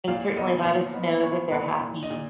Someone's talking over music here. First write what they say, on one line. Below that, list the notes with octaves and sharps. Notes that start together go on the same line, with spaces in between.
and certainly let us know that they're happy.
A#2 F5
B3 D#5
A#2 F5
B3 D#5
B3 C#5
A#2 B4
A#2
D#5
A#2